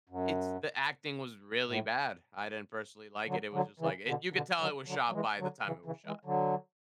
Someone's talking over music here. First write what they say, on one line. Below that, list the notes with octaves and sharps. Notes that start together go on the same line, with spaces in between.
it's the acting was really bad. I didn't personally like it. It was just like i you could tell it was shot by the time it was shot, you know?
F#2
A2
D3 F#3
D3 F#3
C#3 E3
B2 D3
B2 D3
D3 F#3
D3 F#3
F#3
E3 G#3
D3 F#3
C#3 E3
C#3 E3
E3 G#3
D3 F#3